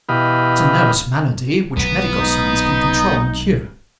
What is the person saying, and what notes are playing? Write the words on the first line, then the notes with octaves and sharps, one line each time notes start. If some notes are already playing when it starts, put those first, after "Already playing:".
It's a nervous malady, which medical science can control and cure.
B2 E3 G4 D#5 F5 B5
B1 F#3 G#3 B3
D#4